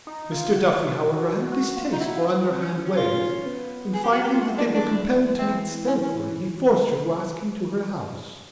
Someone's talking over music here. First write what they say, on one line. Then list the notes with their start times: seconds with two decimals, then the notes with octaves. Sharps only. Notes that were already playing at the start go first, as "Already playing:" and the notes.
Mr. Duffy, however, had a distaste for underhand ways and, finding that they were compelled to meet stealthily, he forced her to ask him to her house.
0.07 D#4
0.32 F4
0.56 F#4
1.52 F#4
1.77 F4
1.92 D#4
2.00 E4 F#4
2.16 F4
2.24 F#4
2.49 C4
2.61 C#4
2.85 C#4
2.97 F4
3.46 B3
3.94 G#4
4.04 G4
4.12 F#4
4.23 G4
4.34 G#3 F4
4.42 A3 F#4
4.54 G#3 D4
4.66 E3
4.74 D#3 D4
4.90 E3
5.39 E3 C4
5.87 C#4
6.03 C#4